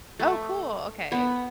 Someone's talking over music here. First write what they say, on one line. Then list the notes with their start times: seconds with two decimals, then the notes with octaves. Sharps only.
Oh, cool, okay.
0.20 A3
1.12 B3